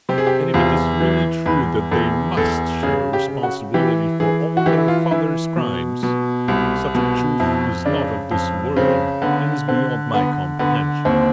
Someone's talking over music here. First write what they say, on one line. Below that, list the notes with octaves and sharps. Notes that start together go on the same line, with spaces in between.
And if it is really true that they must share responsibility for all their fathers' crimes, such a truth is not of this world and is beyond my comprehension.
C3 G4
G#4
G4
E2 F4
E3
E2 B4
E2 A4
E2 A4
C#3 G#4
G4
C#3
F#4
E3 G4
E3 G#4
F#4
E3 G4
E4
F4
E3 E4
B2
B2
C2
B2
F2 E4
C#3 D4
F2
C#3 C4
D3 B3
D3 C4
D3 B3
D3 B3
D#2 C4